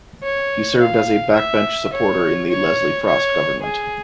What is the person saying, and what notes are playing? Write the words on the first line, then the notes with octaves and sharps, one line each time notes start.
He served as a backbench supporter in the Leslie Frost Government.
C#5
F5
E5
C#5
C#5
C#5
G#4